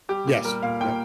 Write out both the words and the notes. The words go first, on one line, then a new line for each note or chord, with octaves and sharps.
Yes. Yep.
G3 G4
A#2 G4
G3 A#4
A#2 F5
A#2 G5